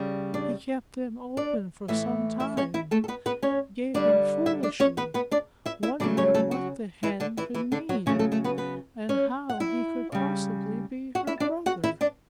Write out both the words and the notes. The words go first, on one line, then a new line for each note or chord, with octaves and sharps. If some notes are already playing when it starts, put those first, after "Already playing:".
He kept them open for some time, gaping foolishly, wondering what the Hen could mean, and how he could possibly be her brother.
Already playing: C#3 G3
D4 D5
D4 D5
A2 E3 A3 E4 E5
E4 E5
C#4 C#5
E4 E5
A3 A4
A4
B3 B4
B3 B4
C#4 C#5
D3 G3 D4 D5
E4 E5
D4 D5
C#4 C#5
B3 B4
B3 B4
D4 D5
E4 E5
E4 E5
C#3 F#3 A3 D4 D5
C#4 C#5
A3 A4
F#3 F#4
E3 E4
D3 D4
E3 E4
E3 E4
D3 D4
F#3 F#4
C#3 F#3 A3 C#4 C#5
A3 A4
A3 A4
B3 B4
B3 B4
C#4 C#5
F#5
E4 E5
C#3 G3
F#4 F#5
E4 E5
D4 D5
F#4 F#5
E4 E5
D4 D5